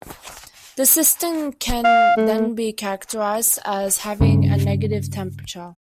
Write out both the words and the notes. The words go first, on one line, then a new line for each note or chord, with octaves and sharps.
The system can then be characterised as having a negative temperature.
F5
A3
G2 C#3